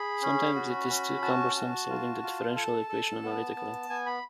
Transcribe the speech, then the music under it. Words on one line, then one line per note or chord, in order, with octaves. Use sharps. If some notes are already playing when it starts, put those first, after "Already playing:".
Sometimes it is too cumbersome solving the differential equation analytically.
Already playing: G#4 B5
C#4
F#4
C#4
F#4 A5
F#4
F4
F4
A4 A5
A4
B3
B3
B3 G#5
B5